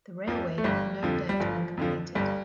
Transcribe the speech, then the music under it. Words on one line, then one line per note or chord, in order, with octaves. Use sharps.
The railway had no debt when completed.
F2 F3
A3
G1 G3
F2 D3 F3
G3
G1 F3
F2 D3 F3
G1 G3